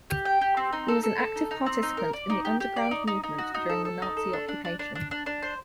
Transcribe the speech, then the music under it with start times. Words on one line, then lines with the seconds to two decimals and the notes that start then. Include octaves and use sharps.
He was an active participant in the Underground Movement during the Nazi occupation.
0.10 G4
0.25 G5
0.41 G4
0.57 C4
0.73 D#4
0.88 A4
1.03 A4
1.20 A4
1.36 D#4
1.51 D#4
1.66 C4
1.83 D#4
1.97 A#4
2.13 D5
2.30 D#4
2.45 G4
2.60 G4
2.76 D5
2.91 D#4
3.07 D#4
3.24 D#4
3.38 F#4
3.54 D#4
3.69 A4
3.85 A4
4.02 D#4
4.17 A4
4.33 D4
4.48 D4
4.65 D4
4.79 D4
4.95 D4
5.11 D4
5.26 D4
5.42 C5